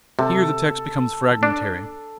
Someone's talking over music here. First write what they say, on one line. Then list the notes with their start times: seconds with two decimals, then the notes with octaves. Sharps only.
Here the text becomes fragmentary.
0.19 C3 A4
1.43 D4